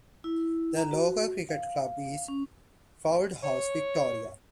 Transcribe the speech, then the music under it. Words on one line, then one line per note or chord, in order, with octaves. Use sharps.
The local cricket club is Fauldhouse Victoria.
E4
A#5
F#4
F5
C#4
C#5